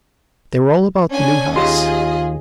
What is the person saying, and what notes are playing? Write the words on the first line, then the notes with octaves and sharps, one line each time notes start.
They were all about the new house.
C#4 D4 G#5
D#2 F4 G4 G#4 D#5 C6